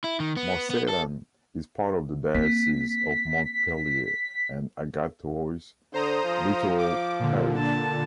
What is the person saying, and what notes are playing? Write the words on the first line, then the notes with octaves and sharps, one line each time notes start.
Marseillan is part of the diocese of Montpellier and Agathois littoral parish.
E4
D#3
B3
B3
A4
A#3 C4 B6
D3 C5 A#5 D#6
F3
D6
A#2 D3
A5